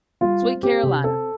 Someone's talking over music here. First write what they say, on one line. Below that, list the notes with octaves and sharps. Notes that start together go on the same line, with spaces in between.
Sweet Carolina,
G3 F4
C4
C4 G4
C3
C4 A4